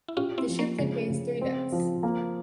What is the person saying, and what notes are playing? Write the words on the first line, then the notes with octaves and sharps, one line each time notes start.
The ship contains three decks.
E4
C#4 F4 G4
C4 E4
F3
A#3 C#4
C#3 G#3
C#3
C4
F3
A#3